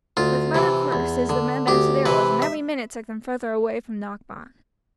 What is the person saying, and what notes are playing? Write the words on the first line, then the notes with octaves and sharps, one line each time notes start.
With muttered curses the men bent to their oars and every minute took them further away from Knockbawn.
D2 F4
C3 E3
E2
D3
D2 G4
C3 E3 B4
E5